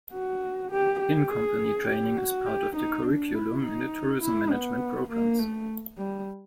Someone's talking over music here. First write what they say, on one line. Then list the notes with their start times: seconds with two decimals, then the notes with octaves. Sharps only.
In-company training is part of the curriculum in the tourism management programmes.
0.12 F#4
0.71 G4
1.00 G4
1.30 G#4
1.88 G4
2.17 F#4
2.46 G4
2.76 D#4
3.05 D4
3.34 E4
3.63 D#4
4.22 E4
4.52 B3
5.10 A#3
5.39 A3
5.97 G3